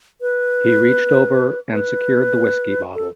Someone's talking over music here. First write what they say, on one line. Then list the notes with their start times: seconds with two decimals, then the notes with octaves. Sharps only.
He reached over and secured the whiskey bottle.
0.21 B4
1.73 B4
2.95 A4